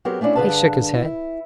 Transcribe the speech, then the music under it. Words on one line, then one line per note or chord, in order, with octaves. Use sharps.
He shook his head.
F#3 B3 C4 G4 G#4 A#4
A3 A#3 C#4 D4 E4
G2 D3 G#4 B4 F5 A5
E4